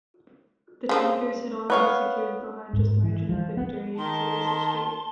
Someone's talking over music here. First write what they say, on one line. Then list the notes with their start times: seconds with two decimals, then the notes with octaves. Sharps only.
The Tigers had already secured the largest margin of victory in series history.
0.89 C#3 F3 C4
1.70 B3 C#5 F5
2.73 G#2
3.03 E3
3.29 F3
3.57 B3
3.98 D#3 A5 C6